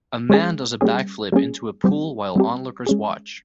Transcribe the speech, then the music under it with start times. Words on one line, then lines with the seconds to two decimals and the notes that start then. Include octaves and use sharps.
A man does a back flip into a pool while onlookers watch.
0.30 G#3 C#4 G#4
0.81 G3 A#3 C#4 G#4
1.32 G3 A#3 C#4 G#4
1.84 G3 C4 G4
2.36 G3 C4 G4
2.87 G#3 C#4 G#4